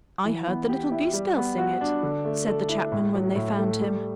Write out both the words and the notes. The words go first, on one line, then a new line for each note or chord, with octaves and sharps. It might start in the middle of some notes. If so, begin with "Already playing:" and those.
"I heard the little goose-girl sing it," said the chapman when they found him.
E3
B3
G4
E4
G3
B3
F#4
D4
D3
A3
A4
E4
A2
F#3
A2
A3
G3